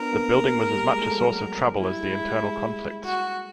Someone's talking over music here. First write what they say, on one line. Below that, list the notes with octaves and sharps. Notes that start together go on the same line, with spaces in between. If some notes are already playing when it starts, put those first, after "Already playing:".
The building was as much a source of trouble as the internal conflicts.
Already playing: B3 D4 F4 A#4
A#3
A#3
A#3
G3
G#3
A3
F#3
G3 E4
G#3
G3
G#3
F#4